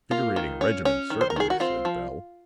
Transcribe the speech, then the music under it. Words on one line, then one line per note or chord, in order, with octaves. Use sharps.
"Invigorating regimen, certainly!" said Bell.
A#3 F4
D#3
C#4
C#4
D#3
C5
A#4
D#3 G#4
F#4
C4 F4
F3